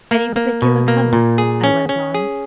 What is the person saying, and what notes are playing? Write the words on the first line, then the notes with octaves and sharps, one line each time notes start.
"Any particular color?" I went on.
A#3
A#3
B2
A#3
A#2
G#4
C#4
C#4
G#4